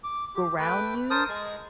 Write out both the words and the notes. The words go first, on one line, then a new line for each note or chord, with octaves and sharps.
Ground News?
D6
G4
A3 B4 G5
A#4 C5 A5 D#6
G#3